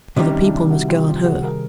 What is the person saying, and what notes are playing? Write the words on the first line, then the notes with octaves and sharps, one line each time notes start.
Other people must guard her.
C3 D#3 G3 C#4 D#4
D4 E4
E4 F#4
F4 G4
F4 G4
F#4 G#4
G#4 A#4